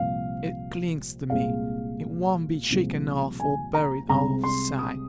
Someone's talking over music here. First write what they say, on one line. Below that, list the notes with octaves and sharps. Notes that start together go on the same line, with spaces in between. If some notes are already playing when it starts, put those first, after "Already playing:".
It clings to me; it won't be shaken off or buried out of sight.
Already playing: C2 A#2 F3 F5
C2 A#2 G#3 F5
C2 A#2 F3 G#3
G#5
A#5
C2 C3 G#3 A#5
C6
D#6